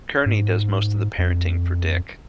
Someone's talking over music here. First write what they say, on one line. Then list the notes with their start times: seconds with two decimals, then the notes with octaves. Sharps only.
Kearney does most of the parenting for Dick.
0.26 G#2
1.18 F2